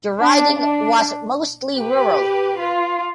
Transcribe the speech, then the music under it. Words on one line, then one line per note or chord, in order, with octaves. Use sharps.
The riding was mostly rural.
D4
D4
G4 B4
F4